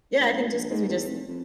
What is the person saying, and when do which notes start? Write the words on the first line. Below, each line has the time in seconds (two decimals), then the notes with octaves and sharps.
yeah, I think just 'cause we just-
0.19 D2
0.33 G#1
0.52 A#1
0.70 G#2
0.88 E2
1.08 F1
1.28 F2